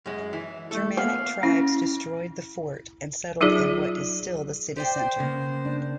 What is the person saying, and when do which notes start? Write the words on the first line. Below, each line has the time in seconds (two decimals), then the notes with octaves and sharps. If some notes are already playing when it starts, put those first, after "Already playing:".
Germanic tribes destroyed the fort and settled in what is still the city centre.
0.06 F#2 G#3
0.33 E3
0.71 A3 A4
0.97 A#3 B3 F5
1.43 C#4 E4
3.41 F#3 D#4 F4 G#4 D5
4.76 G4 C5 D5 G5
5.20 C#3 A#3 B3
5.65 D4